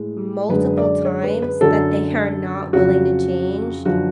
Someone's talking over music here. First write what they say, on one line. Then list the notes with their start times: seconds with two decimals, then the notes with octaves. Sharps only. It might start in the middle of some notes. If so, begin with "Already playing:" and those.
multiple times that they are not willing to change,
Already playing: A2 G#3
0.49 F#2 D3 G#3 B4
0.78 D5
1.05 C#5
1.24 B4
1.42 B4
1.61 F#2 D3 F#3 A4
2.73 F2 C#3 F#3 F#4
3.85 F#2 D3 F3 F#4